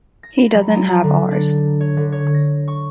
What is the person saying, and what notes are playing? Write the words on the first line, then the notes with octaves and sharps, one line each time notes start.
He doesn’t have ours.
A#6
B5
F#3
A#5
D3
D4
C#5
D3
C#5
A#6
C#6